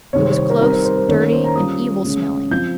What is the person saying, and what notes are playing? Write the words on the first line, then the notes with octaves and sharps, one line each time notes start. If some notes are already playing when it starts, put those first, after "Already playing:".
It was close, dirty, and evil smelling.
C3 D#3 G3 C4 C#5
C5
C#5
C5
A#4
G3 C4 D#4 A#4
C5
C5
C5
D#3 A#3 C#4 C#5
A#4
C5
A#5
G3 C#4 F4 D#6
C#3 G#3 C#4
F3 C4 F4 G6